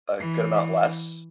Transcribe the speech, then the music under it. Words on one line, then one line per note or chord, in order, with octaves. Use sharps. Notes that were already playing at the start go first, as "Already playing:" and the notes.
a good amount less
E3